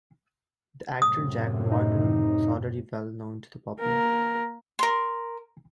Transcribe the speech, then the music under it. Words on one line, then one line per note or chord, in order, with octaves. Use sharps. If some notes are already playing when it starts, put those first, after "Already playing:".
The actor Jack Warner was already well known to the public.
F#2 A2 C3 D#6
D#4
A#3 A#4
A#4 C6